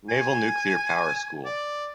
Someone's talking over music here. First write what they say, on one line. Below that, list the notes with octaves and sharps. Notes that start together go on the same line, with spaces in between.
Naval Nuclear Power School.
G#5
D5